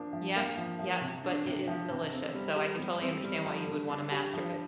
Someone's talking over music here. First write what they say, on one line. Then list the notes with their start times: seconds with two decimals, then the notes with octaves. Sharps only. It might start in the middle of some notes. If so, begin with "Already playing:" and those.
Yep, yep, but it is delicious, so I can totally understand why you would wanna master it.
Already playing: F3 A#3 D4
0.13 F3
0.36 A#3
0.57 F3
0.79 F3
1.01 C3
1.24 D4
1.46 C3
1.68 F3
1.91 C3
2.13 C4
2.35 G3
2.56 G4
2.79 G3
3.01 C4
3.24 G3
3.46 F3
3.67 D3
3.89 D4
4.12 G4
4.33 F3